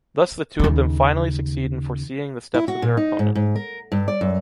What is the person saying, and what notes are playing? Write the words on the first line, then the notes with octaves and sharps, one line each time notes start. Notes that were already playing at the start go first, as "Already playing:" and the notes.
Thus the two of them finally succeed in foreseeing the steps of their opponent.
D#2 C#3
E4
F#4
A#2
D#4
G#2
G#2
A#4
G2
D5
F#2